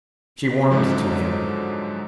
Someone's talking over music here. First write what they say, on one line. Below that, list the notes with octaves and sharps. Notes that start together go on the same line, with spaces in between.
She warmed to him.
G#2 D3 F3 F#3 G#3